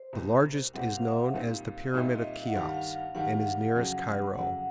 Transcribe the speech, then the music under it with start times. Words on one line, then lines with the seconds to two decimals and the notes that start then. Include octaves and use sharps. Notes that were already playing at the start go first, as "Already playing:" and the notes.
The largest is known as the Pyramid of Cheops and is nearest Cairo.
Already playing: C5
0.13 C2 B2 G3 C4
0.74 C2 B2 G3 C4 F#5
0.94 F5
1.08 E5
1.14 F5
1.34 A#2 G3 C4 D#4
1.88 D#5
1.94 A#2 G3 C4 D#4 E5
2.14 D#5
2.28 E5
2.34 F5
2.46 F#5
2.54 G2 D#3 G3 F5
2.74 F5
2.94 F5
3.14 G2 D#3 G3 F#5
3.75 F2 C#3 F#3
4.35 F2 C#3 F#3 F#5